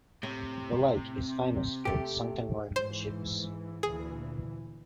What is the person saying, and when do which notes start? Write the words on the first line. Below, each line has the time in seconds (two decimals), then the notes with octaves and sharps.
The lake is famous for its sunken Roman ships.
0.23 A2 C3
1.85 A3 G4
2.76 G#2 E3 C5
3.83 D2 A#2 E3 G#4